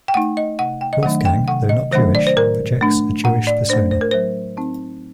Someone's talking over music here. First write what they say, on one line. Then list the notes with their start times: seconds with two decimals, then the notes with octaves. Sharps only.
Wolfgang, though not Jewish, projects a Jewish persona.
0.08 G5
0.14 A3 D#4 F#5
0.37 D#5
0.59 C3 F#5
0.81 G5
0.93 D#5
1.03 D#3 F#3 A3 D4 F#5
1.25 G5
1.48 C3 F#5
1.69 D#5
1.91 D#3 F#3 A3 D4 C5
2.15 D5
2.27 C5
2.37 A2 A#4
2.81 A3 D4
3.24 A2 F#5
3.47 D5
3.69 A3 D4 C5
3.91 C5
4.01 A#4
4.11 F#3 C5
4.57 C4 D#4